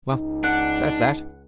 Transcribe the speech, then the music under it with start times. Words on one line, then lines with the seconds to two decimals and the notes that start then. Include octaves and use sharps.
Well, that's that.
0.13 C#2 D#4
0.44 D4 F#5